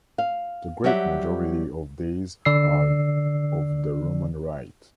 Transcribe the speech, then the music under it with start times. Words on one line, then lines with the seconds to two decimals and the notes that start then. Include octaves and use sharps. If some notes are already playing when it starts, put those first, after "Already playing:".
The great majority of these are of the Roman Rite.
0.18 F5
0.84 F#3 G3 G4 E5 F#5
2.45 D3 D5 E6 C7